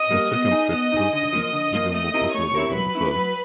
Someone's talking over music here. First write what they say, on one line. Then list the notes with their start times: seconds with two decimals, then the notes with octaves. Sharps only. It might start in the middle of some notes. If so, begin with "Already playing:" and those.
The second trip proved to be even more profitable than the first.
Already playing: D#5 D#6
0.11 G3 A#3
0.31 B3 D#5 D#6
0.51 D#4 G#4
0.71 B3 D#5 D#6
0.92 D#4 G#4
1.13 D3
1.33 F3 A#3
1.52 D3
1.73 F3 A#3
1.93 A3 D#5 D#6
2.14 C4 E4 G4 A#4
2.34 A3 C#5 C#6
2.55 C4 E4 G4 A#4
2.75 F#3 B4 B5
2.95 A3 C#4 E4
3.15 F#3